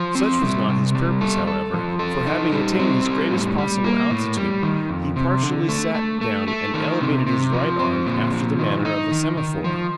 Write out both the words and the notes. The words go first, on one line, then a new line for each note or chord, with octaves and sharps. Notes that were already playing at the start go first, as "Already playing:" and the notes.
Such was not his purpose, however, for, having attained his greatest possible altitude, he partially sat down and elevated his right arm after the manner of a semaphore.
Already playing: F3
C4
G3
C3
G3
A4
A4
F3
A4
D#4
G3
C4
G3
A2
G3
A#3
A2
G3
D#3
F2
C3
D3
A3
A3
A3
A3
D#3
C3
C3
F3
C4
A#2
F3
D#3
D#4
D#3
D#3
F3